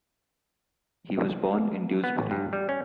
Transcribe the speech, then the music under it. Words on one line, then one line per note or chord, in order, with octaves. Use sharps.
He was born in Dewsbury.
B3
A1
G2
G3
C#4